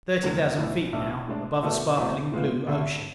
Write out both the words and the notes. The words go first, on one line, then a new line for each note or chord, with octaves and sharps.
Thirty thousand feet now, above a sparkling blue ocean.
F1 E2 D3
B1 A2 E3
B1 A2 E3 A3 D4
A2 G#3 D4
B2 A3 E4 A4
E2 B2 A3 C4
A2 G#3 B3 F4
D2 D3 A3